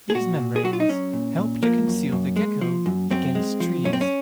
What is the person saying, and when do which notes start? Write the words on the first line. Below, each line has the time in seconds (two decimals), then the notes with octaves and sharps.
These membranes help to conceal the gecko against trees.
0.10 G#4
0.15 A#2 F#4
0.39 A#2
0.56 G#4
0.63 F#3 F#4
0.73 F4
0.80 D#4
0.89 F#3 C#4
1.13 A#2
1.38 A#2
1.63 F3 A#3
1.87 F#2
2.12 F#2
2.36 G#3
2.61 F3
2.86 F#2
3.10 F#2 C4
3.35 G#3
3.60 F3
3.85 F#2 C#4
3.93 C4
4.01 C#4